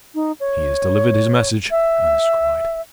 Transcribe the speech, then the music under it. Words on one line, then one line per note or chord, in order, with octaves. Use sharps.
"He has delivered his message," Ernest cried.
D#4
C#5
E5